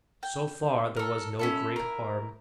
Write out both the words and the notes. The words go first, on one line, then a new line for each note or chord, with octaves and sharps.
So far there was no great harm.
G5
A4 A#4
C#4 E4 A4
E4 A#4